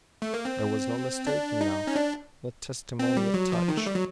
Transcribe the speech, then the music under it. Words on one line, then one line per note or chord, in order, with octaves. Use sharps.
There was no mistaking now the testimony of touch.
A3
A#3
C4
D4
D#4
C#4
D4
C4
G3
F#3
F3
D#3
A3
G3
F#3